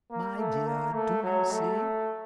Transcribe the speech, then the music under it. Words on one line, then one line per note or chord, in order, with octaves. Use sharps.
My dear, do you see?'
A#3
A3
A#3
A3
F#3
A3